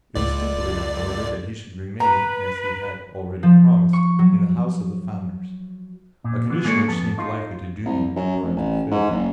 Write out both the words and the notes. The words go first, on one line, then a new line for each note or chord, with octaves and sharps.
It was stipulated, however, that he should remain, as he had already promised, in the house of the founders, a condition which seemed likely to doom the enterprise to failure.
C#2 D5
B4 A#5
F3
C#6
F#3
A#2
D3 E3 B3
G#3 A#3 A4 A#4 C#5
F2 B3 A5
D#4 F4
C2
F#2
F1
A1
G#2
F#1